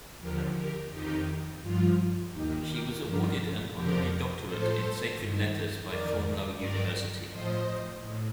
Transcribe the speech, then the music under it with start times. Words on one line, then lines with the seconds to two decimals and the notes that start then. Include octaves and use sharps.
She was awarded an honorary doctorate in sacred letters by Thorneloe University.
0.19 D#2 D3 F3 G4 A#4
0.55 G4 A#4
0.91 F2 D#3 D#4 G4
1.61 G2 F3 F4
2.33 D#2 D#3 D#4 G4
2.68 G4 A#4
3.03 G2 F3 G4 A#4
3.75 F2 D3 F3 G4 A#4
4.45 A2 F3 A4 C5
5.16 G2 D#3
5.87 F2 D#3 A#4 D5
6.58 G2 D#3 A#4 D5
7.29 A2 F3 C5 D#5
8.00 A2